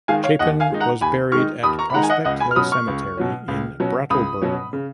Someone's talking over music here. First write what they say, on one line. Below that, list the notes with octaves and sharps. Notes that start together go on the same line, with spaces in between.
Chapin was buried at Prospect Hill Cemetery in Brattleboro.
D#3 G#3 D#4 F5 G#5
C#5 F5
D#2 D#5 F#5
F5 G#5
D#3 G#3 D#4
F#5 A#5
D#2 G#5 B5
D#3 G#3 D#4 C#6 F6
D#2 B5 D#6
A#5 C#6
B5
D#3 G#3 D#4 F#5 A#5
G#5
D#5 F#5
C#2 D#5 F#5
G#5 B5
F6
B2 F#3 C#4 B5 D#6
C#6 F6
C#2
B2 F#3 C#4
C#2
B2 F#3 C#4
C#2 B5 D#6
B2 F#3 C#4
C#3